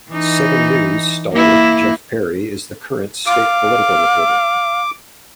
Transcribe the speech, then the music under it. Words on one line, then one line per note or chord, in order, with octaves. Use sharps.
"Seven News" stalwart Geof Parry is the current state political reporter.
E3 D#4
A#3 E4
F5 D6